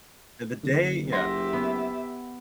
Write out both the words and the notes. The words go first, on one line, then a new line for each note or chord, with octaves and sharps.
and the day yeah.
F#1 D3
G4 E5 F#5 C6 A#6
B3